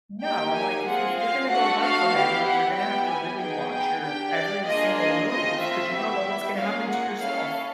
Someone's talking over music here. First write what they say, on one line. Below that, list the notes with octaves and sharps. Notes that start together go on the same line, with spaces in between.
No, I'm like, "If if you're gonna go work for him, like, you're gonna have to really watch your every single move 'cause you don't know what's gonna happen to yourself."
A#3 D#4 G4 G5
G#5
C4 F4 G#4 F#5
F5
A3 D4 F#4 A4 F#5
F5
B3 E4 G4
F#5
B3 E4 G4 G5
G#5
B3 D#4 G#4 G5
G5
D4 G4 G5
D5
A#3 D4 F4 G#4 D#5
D#5
A3 C4 F4 D#5
E5
B3 E4 G4
A#3 C#4 F4 G#4 F5
F#5
C#4 E4 A4 F5